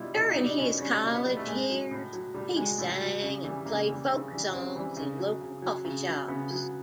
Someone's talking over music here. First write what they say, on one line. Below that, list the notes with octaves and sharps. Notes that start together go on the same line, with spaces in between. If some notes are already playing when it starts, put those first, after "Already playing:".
During his college years, he sang and played folk songs in local coffee shops.
Already playing: B2 G3 E4 F4
B2 E4
D#4
G3
D4
B2 C#4
G3 C#4
B2
B3
G3
A3
A2 G#3
F#3
A2
F#3
A2 G3
F#3 G#3
A2 A3
F#3
C#3
E3 G3
C#3 A#3
E3 G3
C#3
E3 G3
C#3 C4
E3 G3
C#3
F#3
C#3
F#3
C#3
F#3
C#3 B3
F#3